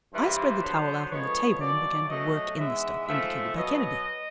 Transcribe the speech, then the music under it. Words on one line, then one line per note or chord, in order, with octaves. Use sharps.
I spread the towel out on the table and began to work in the stuff indicated by Kennedy.
G2 E3 G3 A#3 C5
D3 F#3 B3
D3 F3 G#3 B3 C#5
B2 F#3 A#3 D5
B2 F#3 A3 D#5
G#2 E3 G#3 B3 E5
G#2 F3 A3 E5
B2 F#3 B3 D#5